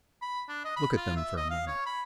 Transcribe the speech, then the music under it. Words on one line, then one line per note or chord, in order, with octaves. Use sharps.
Look at them for a moment.
B5
D4
D#5
B5
F4
E5
D#5
F5
C#5
B5